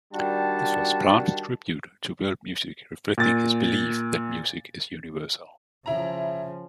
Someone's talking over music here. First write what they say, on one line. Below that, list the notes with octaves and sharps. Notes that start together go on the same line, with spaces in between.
This was Plant's tribute to world music, reflecting his belief that music is universal.
D#3 G3 D4 F#4 A5
A#2 A6
C#3 F3 E4 A#5